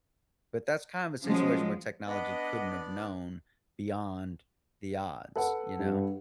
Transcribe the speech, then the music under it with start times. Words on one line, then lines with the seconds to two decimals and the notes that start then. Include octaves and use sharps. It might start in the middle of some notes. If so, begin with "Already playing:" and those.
but that's kind of a situation where technology couldn't have known beyond the odds, you know?
1.23 F3 F#3 G#3 C#4
2.06 B3 D4 B4 D5 D#5 F#5
5.36 A4 B4 F#5
5.79 G2